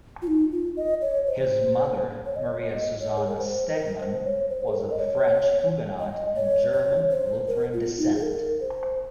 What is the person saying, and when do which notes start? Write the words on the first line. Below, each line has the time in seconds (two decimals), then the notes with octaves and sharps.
His mother, Maria Susanna Stegmann, was of French Huguenot and German Lutheran descent.
0.22 F4
0.27 D#4
0.52 F4
0.77 D#5
1.02 C#5
1.27 C5
2.26 C#5
2.36 D#5
2.46 C#5
2.64 D#5
3.01 C#5
3.17 G#4
3.28 A#4
3.38 C5
3.75 A#4
4.00 C5
4.25 C#5
4.50 C5
4.68 G#4
4.74 A#4
4.91 D#5
4.99 C#5
6.00 D#5
6.36 C#5
6.74 C#5
7.11 C5
7.48 A#4
7.74 F4
7.98 D#4
8.14 G#4
8.22 A#4
8.61 C5